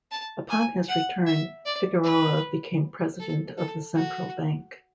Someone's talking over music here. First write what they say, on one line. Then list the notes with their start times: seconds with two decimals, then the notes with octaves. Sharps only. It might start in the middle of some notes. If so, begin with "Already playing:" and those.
Upon his return, Figueroa became president of the Central Bank.
0.11 A5
0.50 G#5
0.89 F#5
1.27 E5
1.65 D5
2.04 B4
3.19 A4
3.58 A4
3.95 F#4